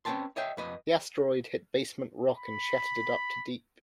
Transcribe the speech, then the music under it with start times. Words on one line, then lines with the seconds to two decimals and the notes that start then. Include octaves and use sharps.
The asteroid hit basement rock and shattered it up to deep.
0.05 C4 C#4 B4 G5 A5 C6
0.36 C#5 D#5 E5 G5
0.57 F2 B4 D#5
2.38 B5